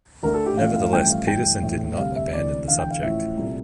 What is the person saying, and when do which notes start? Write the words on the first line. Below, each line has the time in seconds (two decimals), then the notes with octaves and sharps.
Nevertheless, Pedersen did not abandon the subject.
0.23 D2 D3 A3 A#4
0.34 A4
0.46 G4
0.57 A1 A2 F3 A3 F5
0.76 F5
0.92 A1 G2 F3 A3 G5
1.10 F5
1.27 G1 G2 E3 A3 G5
1.62 A#1 A2 E3 A3
1.98 D2 C3 G3 F5
2.16 E5
2.32 D2 C3 E3 D5
2.68 E1 E2 D3 F5
2.79 G5
2.90 F5
3.02 A1 A2 F3 A3 E5
3.37 C2 A#2 A3